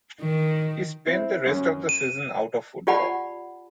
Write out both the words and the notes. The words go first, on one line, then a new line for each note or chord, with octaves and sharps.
He spent the rest of the season out of football.
D#3
C4 E4
F#2 C#4
D#7
F4 G4 D5 F#5 A5 B5